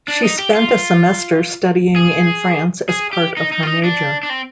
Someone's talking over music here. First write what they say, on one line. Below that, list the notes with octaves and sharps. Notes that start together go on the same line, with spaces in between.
She spent a semester studying in France as part of her major.
D4
D#4
G4
F4
G#4
G#4
G4
D#4
D#4
F4
D#4
D4
D4
C4